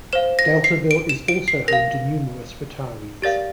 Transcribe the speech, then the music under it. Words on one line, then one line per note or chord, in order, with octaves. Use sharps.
Deltaville is also home to numerous retirees.
C5 F5 E7
A#6
C7
D7
E7
D7
C7
A#4 F5 A#6
G4 A#4 D5 F5 A6